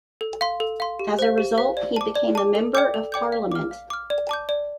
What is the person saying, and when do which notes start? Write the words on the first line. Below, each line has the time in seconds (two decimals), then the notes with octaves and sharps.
As a result, he became a Member of Parliament.
0.21 A4
0.41 F5 C6
0.60 A4
0.80 F5 C6
0.99 G4
1.19 C5 F5
1.38 G4
1.58 C5 F5
1.77 D5
1.96 A5 D6
2.15 D5
2.35 A5 D6
2.55 A4
2.74 D5 G5 D6 G6
2.94 A4
3.12 D5 G5 D6 G6
3.32 F5
3.52 D6 F6
3.71 F5
3.90 D6 F6
4.10 D5
4.29 A5 D6 G6
4.49 D5